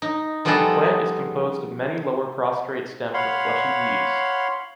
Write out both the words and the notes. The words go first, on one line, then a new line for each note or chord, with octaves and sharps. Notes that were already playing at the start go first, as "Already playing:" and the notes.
The plant is composed of many lower prostrate stems with fleshy leaves.
D#4
F3 G3 B3 D#4 G#4 A4
C#5 F5 F#5 B5 C6